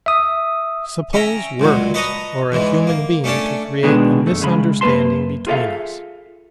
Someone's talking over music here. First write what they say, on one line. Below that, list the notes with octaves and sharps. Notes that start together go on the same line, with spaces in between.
Suppose words or a human being to create a misunderstanding between us!
E5 D#6
C#4 E5 G5 A#5
C#2 A#2 F#3
B4 D#5 A5 A#5 C#6 D#6
E2 G#2 E3
A#3
A3 C#4 D4 C#5 A5
B2 D#3 G#3 B3 D4 G#4
F2 A3
C2 C#3 G#3 B5
F#2 A#3 A#4 B4 A5 C6
F4 G#4 A4 D5 E5 F5